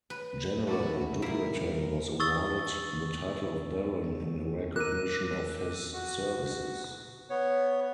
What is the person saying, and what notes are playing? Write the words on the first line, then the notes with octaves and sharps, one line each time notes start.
General Dubreton was awarded the title of baron in recognition of his services.
B4
A3 E4 F#4 D5
G3 A#3 E4 A#4 E5
C#6 D#6 E6 A6 G7
A#4 D6 E6 F#6 D#7
F#4
B3 C#5